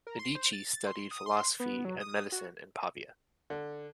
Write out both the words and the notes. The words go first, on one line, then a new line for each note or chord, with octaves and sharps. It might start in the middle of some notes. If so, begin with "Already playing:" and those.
Medici studied philosophy and medicine in Pavia.
A#4
C6
C5
A6
C6
D#6
C6
B3
F#3
D#6
F#4
D3